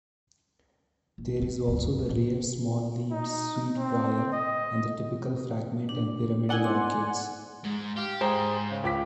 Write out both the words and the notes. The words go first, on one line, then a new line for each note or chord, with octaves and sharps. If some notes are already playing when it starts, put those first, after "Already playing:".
There is also the rare small-leaved sweet-briar, and the typical fragrant and pyramidal orchids.
A#1
G2 B2
D2 G2
A3 D#4
A#2
D#4
C4
D#5
D4
B3 D#4 E4 D5 F#5 G#5
C6
G#2
G4 F5
G#2 G#4 C5 G5 A#5
C#3
C#2 D6 B6